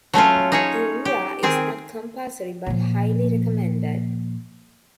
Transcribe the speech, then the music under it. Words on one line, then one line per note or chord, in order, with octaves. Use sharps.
The Umrah is not compulsory but highly recommended.
F#3 A3 C#4 F4
D#4 G#4 C#5
G4
D#3 C4 G#4
A#2 F3